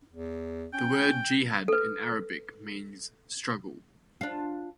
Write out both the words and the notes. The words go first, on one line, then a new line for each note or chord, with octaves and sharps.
The word jihad in Arabic means 'struggle'.
E2
C#4 G5
A4 B4
D4 F4